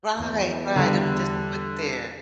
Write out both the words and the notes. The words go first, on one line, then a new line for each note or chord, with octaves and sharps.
Right, right, it was just put there.
E2
D3 G3